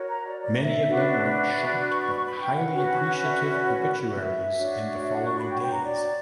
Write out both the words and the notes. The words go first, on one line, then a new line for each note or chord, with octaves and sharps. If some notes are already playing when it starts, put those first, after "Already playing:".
Many of them wrote shocked but highly appreciative obituaries in the following days.
Already playing: F#4 A#4 C#5
A#5
D5
D5
E5
D4 F#4 B4
C#6
C#6
C#6
B5
G5
F#5
C#4 F#4 B4
C#5
E5
D5
E5
D5
C#5
D5
F#5
E5
D4 F#4 C#5
E5
F#5
C#6
B5
G5
G5
A#5
D5